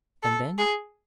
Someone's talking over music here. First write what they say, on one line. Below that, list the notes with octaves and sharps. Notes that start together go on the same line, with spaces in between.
"And then?"
A4
G#4